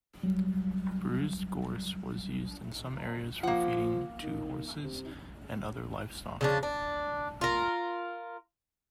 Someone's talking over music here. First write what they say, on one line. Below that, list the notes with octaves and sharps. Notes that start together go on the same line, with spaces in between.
Bruised gorse was used in some areas for feeding to horses and other livestock.
F#3 G3
F3 A#3 F#5
D#3
C3
C#3 F3 D4
D4
F4 A#4